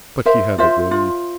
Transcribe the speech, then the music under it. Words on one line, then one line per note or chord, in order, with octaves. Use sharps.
But he had it ready.
A#4 C5 E5
F4 C5 E5
F4